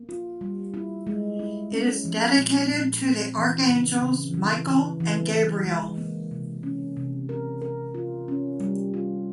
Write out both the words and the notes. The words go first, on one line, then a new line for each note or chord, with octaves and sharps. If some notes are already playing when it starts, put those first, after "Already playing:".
It is dedicated to the archangels Michael and Gabriel.
Already playing: A#3
F4
G3
E4
G#3
E4
C#4
F3
A#2
A#2
C4
E3
C#3
C#3
E3
E3
E3
E3
G#3
A#3
C3
C#4
C3
A#4
A#4
F4
C#4
G3
F4